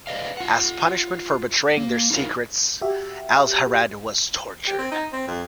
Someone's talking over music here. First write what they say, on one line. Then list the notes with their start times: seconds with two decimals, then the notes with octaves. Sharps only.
As punishment for betraying their secrets, Alhazred was tortured.
0.07 B4 D5 D#5 F5
0.37 F4 F#5
1.77 A#3
2.11 D#4 F4 F#4 A#4 F5
2.81 F#4 G4 E5
4.67 G4
4.79 C4
4.92 D#4
5.13 C4
5.27 F2